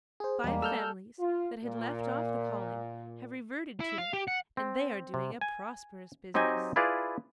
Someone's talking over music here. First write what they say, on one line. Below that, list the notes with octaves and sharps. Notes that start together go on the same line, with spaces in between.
Five families that had left off the calling have reverted to it and they are doing a prosperous business.
G#4 C5
E2 G3 G#3 A#3
A4 E6 F6 G6
F4
A#2
E4
F5
G4
F#5
C4
C3
G#5
F#3 C4 D#4 G4 D#5 G#5
E4 F4 G#4 B4 D5 F5